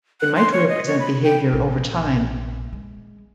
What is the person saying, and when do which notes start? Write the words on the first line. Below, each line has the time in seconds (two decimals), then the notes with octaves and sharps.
They might represent behavior over time.
0.21 F#6
0.36 C6
0.52 C#5
0.69 D#5
0.87 C#5
0.99 B5
1.24 G5
1.53 A#1
2.73 G#3